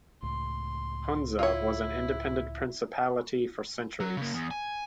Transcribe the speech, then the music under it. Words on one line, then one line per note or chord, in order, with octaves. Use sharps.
Hunza was an independent principality for centuries.
C#2 A2 C6
E4 F4 C#5
F#3
C#3 A#3
E2
G#5